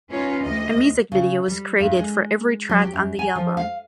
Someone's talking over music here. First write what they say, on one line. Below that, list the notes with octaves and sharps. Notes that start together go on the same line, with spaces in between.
A music video was created for every track on the album.
C#4 D#4 F4 B4 C#5
D2 D#5
C#3
G3
G2
G#3
F#3
G4
F#2
G#5
F3
F5